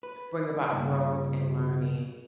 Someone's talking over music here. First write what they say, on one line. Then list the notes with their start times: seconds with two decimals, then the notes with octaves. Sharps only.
bring about growth and learning.
0.03 B4
0.72 G2 A#2 C#3